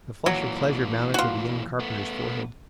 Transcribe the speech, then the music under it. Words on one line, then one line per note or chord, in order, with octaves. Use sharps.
The flush of pleasure mounted to the young carpenter's forehead.
A#2 E3 F#3
F4 F#4
A3 B3